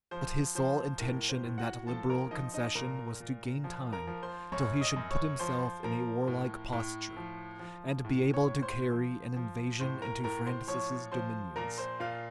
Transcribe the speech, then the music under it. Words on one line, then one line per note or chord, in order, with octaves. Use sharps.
But his sole intention in that liberal concession was to gain time till he should put himself in a warlike posture, and be able to carry an invasion into Francis's dominions.
F3 C5
F3 C5
A2 A#4
C5
A2
F#4 F#5
F3 A4 A5
A#4 A#5
F3 D#4 D#5
D#4 D#5
A#2 A#4 A#5
A#2
F3
A#4 A#5
F3
C5 C6
F#2 C#5 C#6
D#5 D#6
F#2
C#5 C#6
F3 C5 C6
F3 A#4 A#5
A2
A2
F3
F3
A2
C#5 C#6
A2
C5 C6
F3
F3
A2 C5 C6
A#4 A#5
A2 A#4 A#5
C5 C6
F3 C#5 C#6
F3 C5 C6
A#2 A#4 A#5
C5 C6
A#2 F4 F5